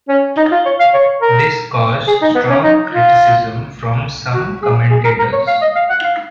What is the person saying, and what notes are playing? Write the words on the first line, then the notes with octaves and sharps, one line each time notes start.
This caused strong criticism from some commentators.
C#4
D#4
F4
C#5
F5
C#5
A#4
G#4
D#4
B3
C#4
D#4
F4
F#4
G#4
G#4
A#4
A#4
C#5
F5
D#5
F5
F#5
F5